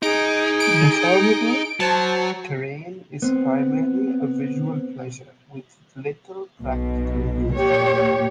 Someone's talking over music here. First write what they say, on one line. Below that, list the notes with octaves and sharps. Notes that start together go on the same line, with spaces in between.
Deformable terrain is primarily a visual pleasure, with little practical use.
D#4 G#4 D7
D7
F#3 C5 A5
B3 C4
B1 B2
A#2 G4 C#5